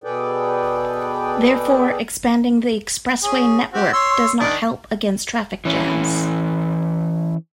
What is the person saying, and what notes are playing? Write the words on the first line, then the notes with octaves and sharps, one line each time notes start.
Therefore, expanding the expressway network does not help against traffic jams.
B2 G#4 A4 B4 D5 G5
C#4 G#4
C4 F#4 G4
C#5 C6 E6
D#3 D4
E3 C#4